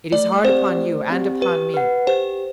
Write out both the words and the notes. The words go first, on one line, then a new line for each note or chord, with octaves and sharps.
It is hard upon you,--and upon me.
A3 D5
C4 G4 C5
A3
C4 G4
G4 B4
B4 F#5
G4 C5